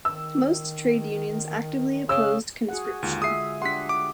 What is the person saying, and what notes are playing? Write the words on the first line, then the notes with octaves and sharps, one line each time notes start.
Most trade unions actively opposed conscription.
D#3 E6
C#3 E6
F#4 G#4 F#5
D#2 D3 G#3 F4
G#4 E5 D#6 C7
D4 G4 F#5 C6 B6
D6